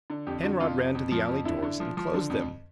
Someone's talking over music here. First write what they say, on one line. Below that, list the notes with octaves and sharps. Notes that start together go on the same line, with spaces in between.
Penrod ran to the alley doors and closed them.
D3
F2 G4
D3 F#4
F2 F4
F2
F2
F3
F2
D3 E4
D3
F3
F3
D3
F2